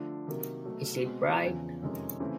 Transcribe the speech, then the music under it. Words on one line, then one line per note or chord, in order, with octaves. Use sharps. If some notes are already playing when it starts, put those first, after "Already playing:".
Is it bright?
Already playing: D3 F3 A3 D4
C3 D#3 F#3 A#3
B2 F#3 A3
B2 G#3 C4
E2 C#3 F3
F2 C3 D#3 G#3 C#4
C#3 E3 A3 C4